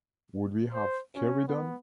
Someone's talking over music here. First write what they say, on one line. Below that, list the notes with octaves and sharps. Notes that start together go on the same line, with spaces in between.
Would we have carried on?
C5
C#4
B3